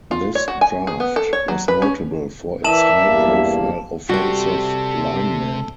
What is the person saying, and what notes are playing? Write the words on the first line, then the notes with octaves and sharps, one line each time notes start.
This draft was notable for its high-profile offensive linemen.
F4
C#5
F#4
G#5
G#4
B3
A4
C#5
F#3
B4
C#4
E3 E4 A#4 D5 E5 A5 E7 F#7
E2 G2 A#3
C3 G3 F#4 G4 A4 C5